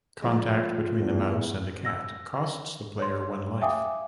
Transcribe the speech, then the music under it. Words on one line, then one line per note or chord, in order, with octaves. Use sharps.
Contact between the mouse and a cat costs the player one life.
F3 G#3
E2
E6 A#6
C#5 C6
E5 F5 G5 G#5 D6 D#6